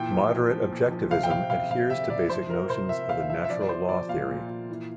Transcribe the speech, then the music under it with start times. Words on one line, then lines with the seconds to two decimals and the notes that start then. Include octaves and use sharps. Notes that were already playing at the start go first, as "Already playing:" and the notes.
Moderate objectivism adheres to basic notions of the Natural Law Theory.
Already playing: A#2 E3 G5
0.12 F3
0.30 A#2
0.51 F3
0.71 A#2
0.91 F3
1.10 C3 F5
1.23 G5
1.30 C3 F5
1.50 C3 F5
1.70 C3 F5
1.90 C3 E5
2.10 C3 D5
2.29 F3 C5
2.49 F3 A#4
2.69 C3 C5
2.89 C3 E5
3.09 C3 F5
3.30 F3 E5
3.45 E5
3.49 F3 D5
3.61 D5
3.69 F3 C5
3.89 F3 D5
4.09 A#2 F5
4.29 A#2
4.49 A#2
4.70 E3